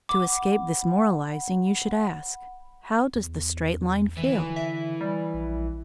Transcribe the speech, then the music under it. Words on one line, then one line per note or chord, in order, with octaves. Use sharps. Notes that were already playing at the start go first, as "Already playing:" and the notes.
To escape this moralizing you should ask, "How does the straight line feel?"
F#5 B5 D6
E2
D3 E3
E5
G3
A#1